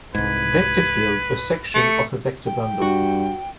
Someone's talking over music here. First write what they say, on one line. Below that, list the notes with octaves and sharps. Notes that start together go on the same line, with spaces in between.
Vector field, a section of a vector bundle.
C2 G#2 B4 G#6
A3 C#7
G5
G2 F#4